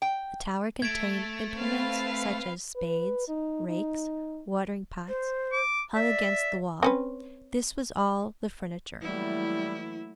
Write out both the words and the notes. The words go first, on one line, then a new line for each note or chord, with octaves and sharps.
The tower contained implements, such as spades, rakes, watering-pots, hung against the wall; this was all the furniture.
G5
A3 G#6 D7
C4 B4 F5
B4
D#4
D#4
C5
D6
D5 E5
C4 C#4 B4
E3 F#3 G3 A3 A#3 E4